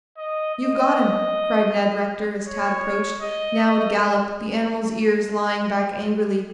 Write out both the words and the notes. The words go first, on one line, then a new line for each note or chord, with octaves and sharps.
"You've got him!" cried Ned Rector as Tad approached, now at a gallop, the animal's ears lying back angrily.
D#5
D#5
C#5
D#5
D#5